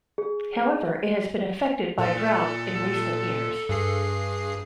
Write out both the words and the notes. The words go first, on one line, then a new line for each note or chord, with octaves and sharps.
However, it has been affected by drought in recent years.
G#4
A#2 A4
G2 G#4 C7